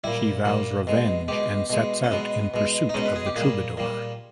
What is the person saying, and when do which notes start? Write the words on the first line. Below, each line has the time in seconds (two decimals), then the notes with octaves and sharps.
She vows revenge and sets out in pursuit of the troubadour.
0.04 A#2 G3 E4
0.45 A#2 G3
0.87 B2 G#3
1.28 B2 G#3 G4
1.70 B2 G#3
2.04 C#4
2.11 B2 G#3 B3
2.54 B2 G#3
2.89 D#4
2.94 B2 G#3 C#4
3.06 B4
3.16 G#4
3.26 G4
3.36 A#2 G3 G#4
3.77 A#2 G3